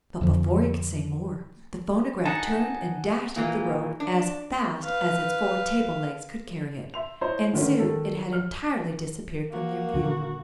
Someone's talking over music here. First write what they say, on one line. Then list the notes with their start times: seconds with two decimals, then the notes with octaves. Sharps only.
But before he could say more the phonograph turned and dashed up the road as fast as its four table-legs could carry it, and soon it had entirely disappeared from their view.
0.21 F2 D3 F3
2.25 D#4 F#5 G#5 A5
3.36 A#2 E3 A#3
4.00 D4
4.84 B4 F5
6.94 E5 C6 F7
7.21 E4 C5 C#5 D#5 A#5 C6
7.53 D3 D#3 A3 B3 C#4
7.79 D#3 A4
8.33 F6
9.51 A#3 F#4
9.94 D#1 D3